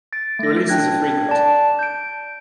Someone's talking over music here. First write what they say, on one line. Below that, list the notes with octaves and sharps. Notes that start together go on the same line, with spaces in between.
The releases are frequent.
A6 D7
A3 A#6
D4 G5 F#6 G#6 A#6
D5 A5
G6 D7